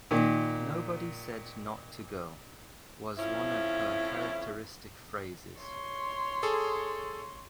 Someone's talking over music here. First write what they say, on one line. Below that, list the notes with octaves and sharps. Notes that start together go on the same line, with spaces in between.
"Nobody said not to go" was one of her characteristic phrases.
A#2 D#3
F2 F3 C#4 E4
C#5 C6
G#4 A4